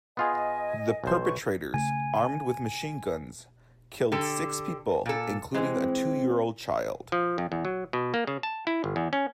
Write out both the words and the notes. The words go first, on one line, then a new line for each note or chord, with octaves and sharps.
The perpetrators, armed with machine guns, killed six people including a two-year-old child.
B3 F4 G#4 D#5 G#5
B1 C5
B4 C#6
C#3 A3 G#5
D3 G4 A4
A#2 A4
E3 G#3 C4
F3
F2
E2
F#3
B2
A#3
C#3
A5
E4
G1
E2
C#4